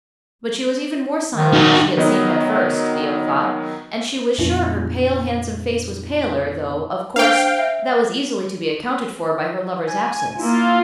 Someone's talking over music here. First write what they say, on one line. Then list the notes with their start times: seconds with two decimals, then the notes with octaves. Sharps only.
But she was even more silent than she had seemed at first, Theo thought, and she was sure her pale, handsome face was paler, though, of course, that was easily to be accounted for by her lover's absence.
1.36 D#3
1.53 D#4 F#4
1.97 D#3 F#3 B3 D#5
4.38 F2 A#2 B3 D4 E4 F4
7.16 D4 C5 F5 G5 F7
7.59 E5
9.88 G#5
10.37 A#3 E4 F4